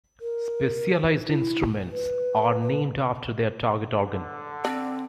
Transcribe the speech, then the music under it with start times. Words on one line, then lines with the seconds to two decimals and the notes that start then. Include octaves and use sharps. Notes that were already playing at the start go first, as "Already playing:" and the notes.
Specialized instruments are named after their target organ.
0.20 A#4
1.26 E4
1.91 B4
2.60 B4
4.06 D3
4.65 C4 D4